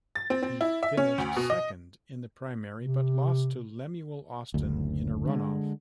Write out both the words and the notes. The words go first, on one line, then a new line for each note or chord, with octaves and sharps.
He finished second in the primary but lost to Lemuel Austin in a runoff.
A6
C4
C4
E4
E5
C#4
D2
B2
D#5
C3
F#1 D2
D3 G#3